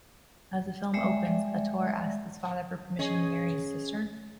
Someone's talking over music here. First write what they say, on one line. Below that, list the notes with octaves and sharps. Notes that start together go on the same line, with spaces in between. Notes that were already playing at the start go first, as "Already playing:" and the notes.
As the film opens Ator asks his father for permission to marry his sister.
G3 G#3 D5 E5
C#4 G#4 C#5 D#5